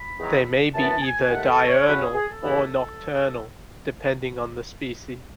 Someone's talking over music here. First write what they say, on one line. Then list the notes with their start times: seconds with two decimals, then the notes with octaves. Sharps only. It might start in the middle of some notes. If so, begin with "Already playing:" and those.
They may be either diurnal or nocturnal, depending on the species.
Already playing: B5
0.19 E2 D#3 F#3
0.74 F#2 E3 B3 A5
1.02 G#5
1.29 D#2 D#3 A3 F#5
1.49 A4
1.67 C#5
1.85 C#3 F#3 C#4 E4 B4
1.99 G#4
2.13 G#4
2.27 A4
2.41 D#2 C#3 E3 B3 E4